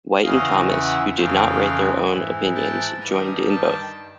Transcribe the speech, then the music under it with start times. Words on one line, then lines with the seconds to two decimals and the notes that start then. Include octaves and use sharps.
White and Thomas, who did not write their own opinions, joined in both.
0.23 E2 C#3 E3 D#5 F5
0.70 E5 F#5
1.15 F2 C#3 E3 F5 G5
2.09 G#2 E3
2.55 G5 A5
3.01 G2 D#3 G#5 A#5
3.47 G5 A5